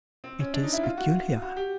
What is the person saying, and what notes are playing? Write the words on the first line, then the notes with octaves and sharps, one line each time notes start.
It is peculiar.'
C4
C#4
D4
D#4
E4
F4
F#4
F#4
G4